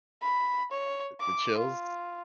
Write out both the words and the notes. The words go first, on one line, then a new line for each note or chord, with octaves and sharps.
Uh, the chills?
B5
C#5
D6
F4